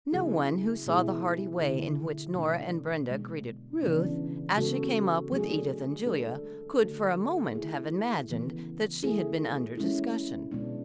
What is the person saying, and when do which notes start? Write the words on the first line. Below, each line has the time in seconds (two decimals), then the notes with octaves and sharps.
No one who saw the hearty way in which Nora and Brenda greeted Ruth, as she came up with Edith and Julia, could for a moment have imagined that she had been under discussion.
0.12 C#3 F#3 B3 E4 G#4
0.87 B2 G#3 B3 E4 G#4
1.60 D3 A3 E4 G#4
2.34 B2 A3 D4
3.09 B2 G#3 B3
3.83 C#3 E3 B3 D4
4.57 C#3 G#3 B3 F#4 A4
5.32 F#3 A3 D4 G#4
6.06 G#3 D4 A4
6.80 D3 A3 D4 F#4 A4
7.54 A3 E4 G#4
8.29 C#3 E3 B3
9.03 A3 E4 G#4
9.77 G#3 C#4 E4
10.51 B2 G#3 B3 D4